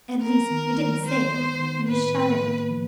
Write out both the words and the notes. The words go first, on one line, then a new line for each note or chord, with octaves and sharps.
"At least--you didn't say it--you shouted it!"
B3 A#4
D#3
D#3
G#3 C5
B3
D#3
A2 B4
A2
A#3
F3